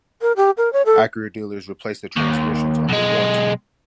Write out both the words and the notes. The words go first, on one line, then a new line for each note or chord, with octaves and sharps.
Acura dealers replace the transmissions under warranty.
A#4
G4
A#4
C#5
A4
D#2
B1 G#3